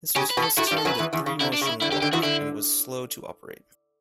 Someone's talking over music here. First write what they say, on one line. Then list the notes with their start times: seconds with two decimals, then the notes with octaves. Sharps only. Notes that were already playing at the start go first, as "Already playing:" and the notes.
This was hence termed a "three motion block" and was slow to operate.
0.16 C#3 C#4 G4
0.30 B4
0.37 B2 B3
0.43 A4
0.57 A2 A3 F#4
0.68 G4
0.71 G2 G3
0.78 A4
0.85 F#2 F#3
0.89 B4
0.99 E2 E3
1.13 E2 E3
1.26 C#3
1.40 D3 E4
1.54 D4
1.61 C#3
1.67 E4
1.82 D3 E4
1.92 D3 G4
2.02 D3 G4
2.13 E2 E3 F#4
2.23 D3 E4